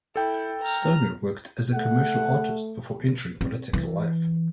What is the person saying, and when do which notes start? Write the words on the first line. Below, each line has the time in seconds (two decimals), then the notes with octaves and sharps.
Stoner worked as a commercial artist before entering political life.
0.16 E4 A4 G5
0.61 A#5 F6
1.74 A3 F#5
3.41 C4
3.73 E3